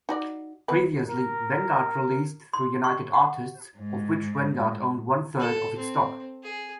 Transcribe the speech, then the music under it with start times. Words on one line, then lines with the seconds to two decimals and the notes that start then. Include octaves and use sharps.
Previously, Vanguard released through United Artists, of which Vanguard owned one-third of its stock.
0.09 D#4 F#4 D5
0.68 B3 B4
1.07 A#4
2.53 C6
2.84 C#6
3.14 F#5
3.78 G#2
5.39 A4
5.77 C4
6.43 G#4